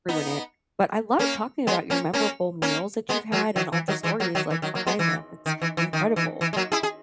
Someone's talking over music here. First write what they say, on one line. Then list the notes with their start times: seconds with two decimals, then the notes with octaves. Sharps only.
ruin it, but I loved talking about your memorable meals that you've had and all the stories, like, behind them, it's incredible.
0.09 B3 D#4
1.19 A#3 C#4
1.67 G#3 B3
1.90 A#3 C#4
2.14 A#3 C#4
2.62 A#3 C#4
3.09 G#3 B3
3.32 F#3 A#3
3.56 D#3 F#3
3.72 E3
3.88 D#3 F#3
4.03 E3 G#3
4.20 F#3 A#3
4.35 D#3 F#3
4.50 E3
4.62 D#3 F#3
4.75 F#3 A#3
4.87 G#3 B3
4.99 E3
5.46 D#3
5.62 E3
5.77 E3
5.93 D#3
6.16 E3
6.41 E3
6.53 G#3
6.56 F#3 A#3
6.72 E4 G#4
6.83 G#4